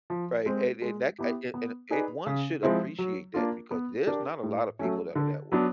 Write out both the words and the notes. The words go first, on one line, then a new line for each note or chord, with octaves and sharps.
Right? And and that c a and and one should appreciate that because there's not a lot of people that are that way.
F3
G#3 C4
G#3
B3 E4 G4
B3
D#4 G#4 B4 D5
C#3
F3 G#3 C4 E4
F#3
A#3 D4 F4
B3
D4 G4 A#4 D5
A2
F#3 A3 C#4
D3
F#3 B3 D4